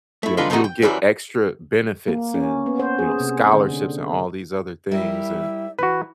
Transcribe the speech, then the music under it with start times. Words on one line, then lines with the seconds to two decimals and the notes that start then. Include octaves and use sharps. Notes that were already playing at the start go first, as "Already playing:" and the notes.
you know, you'll get extra benefits and, you know, scholarships and all these other things, and
0.23 A3 E4
0.37 D3 G#3 D4 D#4 F4 B4
0.50 D3 D#3 A3 D4 D#4 F#4
0.64 G5
0.82 F#2 E3 F#3 G3
2.08 A#3
2.34 C#4
2.66 B3
2.80 C5
2.99 G#4
3.20 C3
3.54 D3
4.91 G3 E4 A#4 E5
5.79 E3 F#4 B4